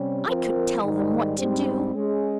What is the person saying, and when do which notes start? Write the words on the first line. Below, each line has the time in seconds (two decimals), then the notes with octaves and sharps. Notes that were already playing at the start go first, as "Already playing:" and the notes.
"I could tell them what to do."
Already playing: C3 G3 C#4
0.26 F3 C4 F4 A#4
0.83 G#2 D#3 G3
1.38 G#2 G3 C4
1.95 G#3 C#4 G#4